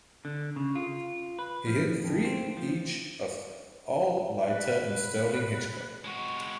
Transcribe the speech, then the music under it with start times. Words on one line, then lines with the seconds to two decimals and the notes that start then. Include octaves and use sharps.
He hit three each off Al Leiter and Sterling Hitchcock.
0.25 D3
0.56 C#3
0.75 F4
1.39 B4
1.67 F3
2.04 F2
2.25 C4
2.57 F3
4.50 B4
6.04 G#3 F#4